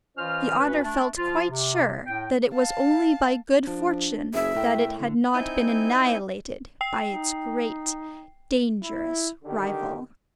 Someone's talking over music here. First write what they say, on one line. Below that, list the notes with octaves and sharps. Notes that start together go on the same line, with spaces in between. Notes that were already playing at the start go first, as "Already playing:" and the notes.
The otter felt quite sure that it was only by good fortune that it had not been annihilated by its great, dangerous rival.
E3 C#4 F4 C5 D#5 F6
D2 C#4 B4
A3 D4
F3 F4
C3
A2 G5
F5 A5
F3 D4
F#1 G#4 E5
A2 A3 A#4 G5
D3
C4 D#4 E4 G#5 G6
G5 C7
D#4
E4
D3 D#3 G4